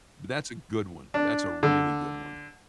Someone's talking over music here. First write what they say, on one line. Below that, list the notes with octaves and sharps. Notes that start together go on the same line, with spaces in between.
but that's a good one, that's a really good one.
D4
D3